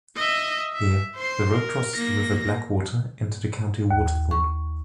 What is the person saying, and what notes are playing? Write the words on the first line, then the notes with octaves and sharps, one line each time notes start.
Here the road crosses the River Blackwater into County Waterford.
D#5 E5
E5
C5 C6
A#4
A#3 A#6
D#2
C#6